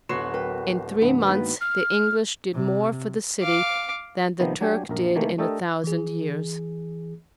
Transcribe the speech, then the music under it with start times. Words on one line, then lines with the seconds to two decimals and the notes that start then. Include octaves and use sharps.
In three months the English did more for the city than the Turk did in a thousand years.
0.09 D1 F#3 B3 F#4 C6 C7 E7
0.34 A#4 B4 G5
1.02 G2 C3 E3 A3 B3
1.27 D#3 G#3 A#3 B3 F#4 B4
1.60 F6
2.53 C3
3.41 F5 D6
4.40 C3 D#3 F3 A#3 B3
4.61 F#3 D4 G4 G#5
4.89 A#1 F#2 A#4
5.15 C3 D#3 E3 A3 A#3
5.38 A3 D4 G4 A4 A#4 D#5
5.84 E3 G#4